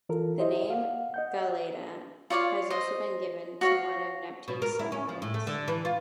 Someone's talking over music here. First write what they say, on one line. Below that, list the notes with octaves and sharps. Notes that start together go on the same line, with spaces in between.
The name Galatea has also been given to one of Neptune's satellites.
E3 F4 A4 A#4
E4 G4 C5 D#5 E5
F5 F#5
D#5 F#5 G6
F4 C#5 D5 F5
C5 D#5
F#4 C#5 F5
B2
A#4
E4
C#4
F3
A2
A3
D3
E3
F4